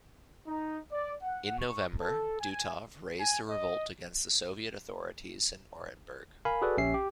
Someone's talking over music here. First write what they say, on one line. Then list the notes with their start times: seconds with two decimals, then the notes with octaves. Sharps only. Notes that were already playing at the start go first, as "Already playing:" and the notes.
In November, Dutov raised a revolt against the Soviet authorities in Orenburg.
0.46 D#4
0.92 D5
1.23 F#5
1.59 C#6
2.00 A4
2.39 G#5
3.19 G#5
3.49 D#5
6.45 A#4 F5 G#5 B5
6.62 F#4 G#4 A4 B4 D5
6.77 A#1 C#4 G4 E5 C7
6.94 G4